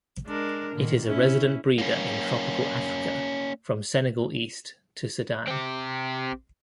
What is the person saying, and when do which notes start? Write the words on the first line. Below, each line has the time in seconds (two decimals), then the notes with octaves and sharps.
It is a resident breeder in tropical Africa from Senegal east to Sudan.
0.26 G#3 D4 A#4
0.75 A#2 D3 D#3
1.04 C#4 E4
1.78 A#3 C#4
5.48 C4 G4